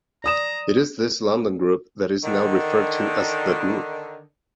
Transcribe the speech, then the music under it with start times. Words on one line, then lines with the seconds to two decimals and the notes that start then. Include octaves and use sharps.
It is this London group that is now referred to as "The Group".
0.24 D5 A#5 D#6 E7
2.24 D3 D#3